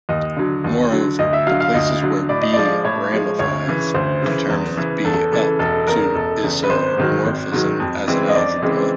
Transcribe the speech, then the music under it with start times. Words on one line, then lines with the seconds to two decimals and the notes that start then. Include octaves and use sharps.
Moreover, the places where "B" ramifies determines "B" up to isomorphism as an algebra.
0.09 D#2 D#5
0.37 D3 F#3
0.64 D#2
0.91 D3 F#3
1.19 D2 D#5
1.33 E5
1.47 D3 F#3 F5
1.60 F5
1.74 D2 D#5
2.02 D3 F#3
2.29 A2 D5
2.41 D#5
2.53 F3 G#3 D5
2.84 A2 C#5
3.12 F3 G#3
3.39 D2 C#5
3.66 C#3 E3
3.94 D2 C5
4.22 C#3 E3
4.50 E2
4.77 C#3 E3
5.04 E2 A4
5.32 C#3 E3 A4
5.59 E1 A4
5.87 E2 C#3 A#4
6.15 E1 A4
6.43 E2 C#3
6.63 B4
6.69 G#1 C5
6.97 G#2 D#3 F#3
7.25 G#1
7.52 G#2 D#3 F#3
7.80 F2
8.07 C#3 E3 G#3 C4
8.29 D#5
8.35 F2 D5
8.62 C#3 E3 G#3 C4